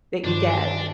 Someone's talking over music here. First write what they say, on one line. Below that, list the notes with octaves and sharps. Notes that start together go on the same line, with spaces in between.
that you get.
G2 D#3 D4 C5